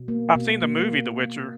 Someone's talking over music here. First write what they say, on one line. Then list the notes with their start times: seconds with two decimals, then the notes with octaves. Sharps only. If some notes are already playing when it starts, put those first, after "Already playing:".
I've seen the movie The Witcher.
Already playing: B2
0.08 A#3
0.35 B2
0.62 A#3